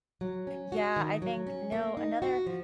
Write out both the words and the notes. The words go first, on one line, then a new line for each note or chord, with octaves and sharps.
Yeah, I think no, another
F#3
C#4
F#4
D#3
F#3
C#4
A#3
D#4
F#4
F3